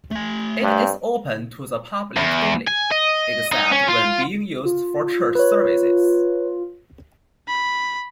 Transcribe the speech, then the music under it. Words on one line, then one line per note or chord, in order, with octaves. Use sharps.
It is open to the public daily, except when being used for church services.
A3 G#5
G2
E2
G#5
D#5
D#4
C#4
F4
F4
B4 C#5
B5